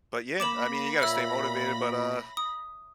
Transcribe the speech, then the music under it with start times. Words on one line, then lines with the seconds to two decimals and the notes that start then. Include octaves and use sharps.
But yeah, I mean, you gotta stay motivated, but, uh,
0.40 A#3 B5 D6 A#6 E7 F#7
1.02 A#2 C#5 E5 E6
2.37 D#6